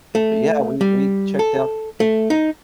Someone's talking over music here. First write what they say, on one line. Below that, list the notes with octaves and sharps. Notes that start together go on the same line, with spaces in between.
but, yeah, we we checked out
A3
G3
A4
A3
D#4